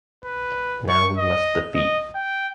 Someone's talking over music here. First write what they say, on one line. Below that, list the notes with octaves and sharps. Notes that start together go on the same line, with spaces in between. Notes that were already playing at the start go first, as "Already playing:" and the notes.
Now we must defeat.
B4
C#6
D#5
D#5
G5